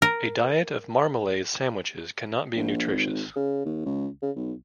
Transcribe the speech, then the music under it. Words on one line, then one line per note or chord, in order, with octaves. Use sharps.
A diet of marmalade sandwiches cannot be nutritious.
A#4
A#1
G#1
C#3
D#2
C#2
C#3
B1